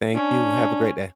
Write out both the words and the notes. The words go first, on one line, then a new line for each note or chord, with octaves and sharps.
Thank you, have a great day.
C#4 D4